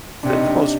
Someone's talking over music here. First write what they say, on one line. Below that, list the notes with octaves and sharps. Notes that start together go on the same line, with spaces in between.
the the most
C3 D4
D#4
D4